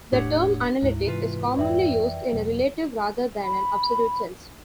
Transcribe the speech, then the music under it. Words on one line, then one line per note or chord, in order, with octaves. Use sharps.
The term "analytic" is commonly used in a relative rather than an absolute sense.
E1 A2 D4 G4 C#5 F#5
D2 G#2 E4
C3 E3 F4 B4
F2 E3 D5 E5 G5
E2 B2 F#3
B5